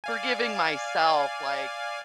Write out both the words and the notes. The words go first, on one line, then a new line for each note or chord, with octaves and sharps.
forgiving myself, like
D5 F5 G#5